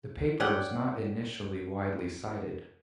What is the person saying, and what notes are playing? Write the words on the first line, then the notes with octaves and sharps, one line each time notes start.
The paper was not initially widely cited.
C#4 D5 F#5 G5